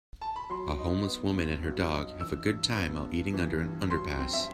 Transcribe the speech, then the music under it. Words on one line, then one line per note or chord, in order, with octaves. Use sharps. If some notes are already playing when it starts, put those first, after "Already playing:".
A homeless woman and her dog have a good time while eating under an underpass.
A5
B5
F#3 C6
D#4
B3
G2
F#3
D#4
E3 E6
G2
B3
G2
E3
G2
F#3 C6
C4
E5